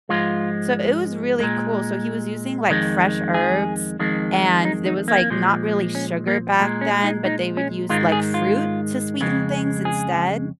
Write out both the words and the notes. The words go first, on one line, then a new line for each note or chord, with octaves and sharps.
So, it was really cool, so, he was using, like, fresh herbs, and there was, like, not really sugar back then, but they would use, like, fruit to sweeten things instead.
G#2 F3 G#3 F4
A#2 G#3
F2 D#3 G#3
G#4
F2 D#3 G#3
D#4
D#4
A#3
A#2 F3 G#3
C#4
A#3
A#2 G#3
C#4
D#4
D#4
C#4
G#2 D#3 G#3 F4
G#4
F4
F2 C#3 G#3
G#4